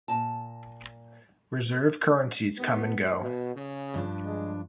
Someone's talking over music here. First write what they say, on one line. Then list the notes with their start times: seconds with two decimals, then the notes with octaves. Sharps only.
Reserve currencies come and go.
0.08 A#2 A5
2.58 D#2 B3
3.22 B2
3.55 C#3
3.94 G2 F3 D4
4.24 G#3